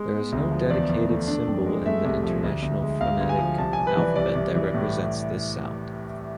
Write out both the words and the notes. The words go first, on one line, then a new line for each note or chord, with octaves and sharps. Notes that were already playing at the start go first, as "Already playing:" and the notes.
There is no dedicated symbol in the International Phonetic Alphabet that represents this sound.
Already playing: G#3
B3
D2
F3
E2 D5
E2
A3
D4
F2
G#3
A3 E5
C2
F3
D2
D2
G#3
D2 F5
D2
G#5
F3
C2 A5
C2 G#5
B4
E3 D5
C2 D5
C2
E3
A2